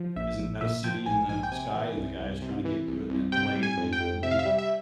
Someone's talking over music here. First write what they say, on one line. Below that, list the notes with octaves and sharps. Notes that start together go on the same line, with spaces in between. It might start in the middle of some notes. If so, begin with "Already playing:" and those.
Isn't that a city in the sky, and the guy is trying to get to it, and that blade thing's coming down, yeah.
Already playing: F3
A#1 E5
A#1
A#2 E5
F3 G5
A#1 G#5
A#1 G#5
G5
C3 G#5
E3
C2
C2
C3
E3
C2
C2
C3 G5
G3
G#5
F2
G5
F2
C3 E5
F5
E5
G3
E5